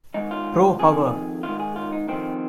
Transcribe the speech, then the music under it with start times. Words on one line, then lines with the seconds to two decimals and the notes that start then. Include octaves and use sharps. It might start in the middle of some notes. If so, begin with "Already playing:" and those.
Pro Hour.
0.14 G#2 D#3 D#4
0.31 F4
0.79 F2 D#3 G#4
1.43 G#2 D#3 F4
1.60 G#4
1.76 F4
1.92 D#4
2.08 F2 D#3 C4